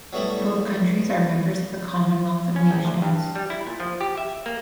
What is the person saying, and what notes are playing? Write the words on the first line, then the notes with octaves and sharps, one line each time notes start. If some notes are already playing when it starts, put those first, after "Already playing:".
Both countries are members of the Commonwealth of Nations.
F#3 G3 A3 B3 E4
C#4
A#1
D2
G2
G3
E4
A#2
F3
G4
E5
A#3